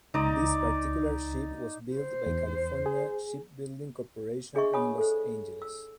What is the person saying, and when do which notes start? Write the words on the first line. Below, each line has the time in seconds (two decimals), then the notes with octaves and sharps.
This particular ship was built by California Shipbuilding Corporation in Los Angeles.
0.14 C#2 D#4 D5 A#5
1.96 C5
2.26 E2
2.86 G#4
4.55 D4 G#4 D#5 E5 C#6
4.73 C#5 G#5 B5 D#6
4.98 A4 C5
5.62 E6